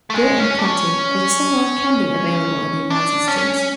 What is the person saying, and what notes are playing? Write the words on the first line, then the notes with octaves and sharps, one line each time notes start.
Good and Plenty is a similar candy available in the United States.
A3
G#3
C#4
D4
C#4
D4
C#4